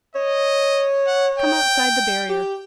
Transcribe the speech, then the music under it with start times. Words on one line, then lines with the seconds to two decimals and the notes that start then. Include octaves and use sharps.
Come outside the barrier.
0.15 C#5 D#5
1.07 F#5
1.38 G5
2.30 G4